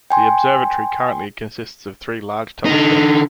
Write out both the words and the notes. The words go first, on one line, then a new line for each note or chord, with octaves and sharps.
The observatory currently consists of three large telescopes.
G5 G#5 C6
D3 D#4